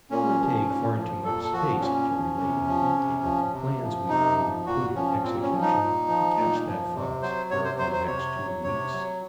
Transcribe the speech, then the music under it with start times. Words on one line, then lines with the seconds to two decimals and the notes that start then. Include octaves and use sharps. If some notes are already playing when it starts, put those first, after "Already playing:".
It would take far too much space to relate in detail the plans we laid and put in execution to catch that fox during the next two weeks.
0.10 A#2 C#4
0.39 F3
0.68 A#2
0.96 F3
1.24 A#2 A4
1.43 A4
1.53 F3 F#4
1.81 A#2 C#4
2.09 F3
2.39 C3
2.67 F3
2.95 C3
3.23 F3
3.53 C3
3.81 F3
4.08 C3 D#4
4.37 F3
4.65 A#2 F#4
4.94 F3 C#4
5.23 A#2 C4
5.42 C#4
5.51 F3
5.61 D#4
5.80 A#2
6.08 F3
6.37 A#2
6.66 F3
6.94 C3
7.22 F#3 C5
7.51 C3 C#5
7.64 C5
7.78 F#3 C5
7.93 C5
8.07 C3 C#5
8.35 F#3
8.64 C3 C#5
8.93 F#3